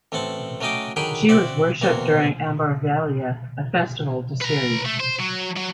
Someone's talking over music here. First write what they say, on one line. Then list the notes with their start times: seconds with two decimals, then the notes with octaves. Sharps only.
She was worshiped during Ambarvalia, a festival to Ceres.
0.12 A1 A3 C4 F#5 A5
0.61 F#3 A3 C#4 D#5 G5 D6
0.96 D3 D#3 F#3 G#4 G5 B5
1.29 C4 F#4 D5 E5 F#5
1.82 E2 A#3 C4 F#4
4.42 B4 A#5
4.86 A3
5.00 C5
5.20 F#3
5.57 F#3